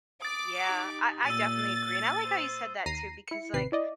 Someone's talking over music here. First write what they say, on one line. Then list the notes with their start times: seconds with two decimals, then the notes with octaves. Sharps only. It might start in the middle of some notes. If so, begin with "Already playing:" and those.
Yeah, I I definitely agree, and I like how you said that too, because, like,
0.22 D6 D#6 A6
0.64 D#4 G4
1.26 A#2 E6 A6 D#7
2.22 C5
2.86 D#2 A#5 A#6 C7 D#7
3.28 E4 C#7
3.53 A1 D#2 C3 B4 C7
3.72 E4 D5 D#5